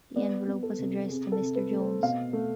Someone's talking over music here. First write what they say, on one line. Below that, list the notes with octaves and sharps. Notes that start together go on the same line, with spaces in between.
The envelope was addressed to Mr Jones.
B3 D5
B3
A4
C3
C3 G#4
A4
C3
B4
A3
C5
B2 F5
A3